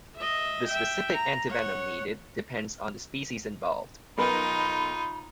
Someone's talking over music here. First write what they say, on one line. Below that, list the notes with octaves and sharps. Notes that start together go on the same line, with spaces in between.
The specific antivenom needed depends on the species involved.
D#5 E5
E5 G5
A#5
C#5 F#5
B1 D#4 F4 A#4 B4 B5